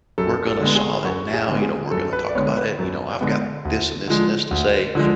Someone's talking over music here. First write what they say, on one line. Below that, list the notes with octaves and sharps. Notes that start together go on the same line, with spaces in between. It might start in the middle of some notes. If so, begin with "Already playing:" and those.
"We're gonna solve it now," you know, "We're gonna talk about it," you know, "I've got this and this and this to say,"
F#2 A4
A4
D3 G#3 B3
G#4
F#2 F#4
G#4
D3 G#3 B3
G#4
F#2 A4
B4
D5
D3 G#3 B3 C#5
B4
F#2
D3 G#3 B3
D2
D3 F3 G#3
D2
D3 F3 G#3